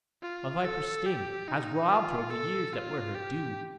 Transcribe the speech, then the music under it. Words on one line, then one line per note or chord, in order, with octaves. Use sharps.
A viper's sting has robbed her of the years that were her due.
F4
A4
G4
D#4
F4
A4
F4
G4